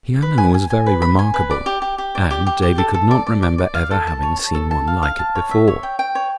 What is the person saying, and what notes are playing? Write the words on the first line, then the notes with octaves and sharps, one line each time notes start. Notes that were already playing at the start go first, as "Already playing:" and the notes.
The piano was very remarkable, and Davy could not remember ever having seen one like it before.
B4
G#5
G#5
G#5
B4
B5
G#5
B4
D5
G4
G4
G4
D5
G4
G4
G4
A4
A4
D5
D5
D5
D5
F5
A4
A5
C#5
A5
A4
A5
F5
F5
A5
C#5
E5
C#5
G5
G5
C#5